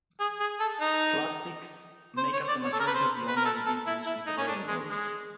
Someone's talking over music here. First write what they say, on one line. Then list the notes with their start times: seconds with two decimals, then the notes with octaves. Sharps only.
Plastics make up the majority of the online business with the railroad.
0.20 G#4
0.40 G#4
0.60 A4
0.81 D#4
2.18 C5
2.33 C#5
2.49 D5
2.64 C#5
2.73 A4
2.80 A#4
2.87 B4
2.95 C5
3.28 B4
3.37 A#4
3.45 A4
3.66 A4
3.87 E4
4.06 E4
4.27 D#4
4.38 C#4
4.48 D4
4.68 G#3
4.88 G#3